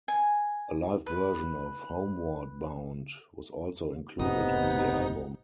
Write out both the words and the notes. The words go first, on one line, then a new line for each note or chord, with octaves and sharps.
A live version of "Homeward Bound" was also included on the album.
G#5
B4
F#1 A2 C3 B3 C4 D#4